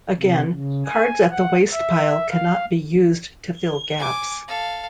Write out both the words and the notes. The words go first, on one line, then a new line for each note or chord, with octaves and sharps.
Again, cards at the wastepile cannot be used to fill gaps.
C3
C#3
G#5
F#5
E5
F5
G#5 D6
A4 F5